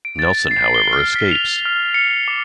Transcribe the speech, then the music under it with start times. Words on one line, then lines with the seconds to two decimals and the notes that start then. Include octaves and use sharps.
Nelson however escapes.
0.05 D7
0.19 A6
0.51 C7
0.74 G7
0.93 F6
1.16 B6
1.31 F7
1.65 F6
1.94 C#7
2.28 D6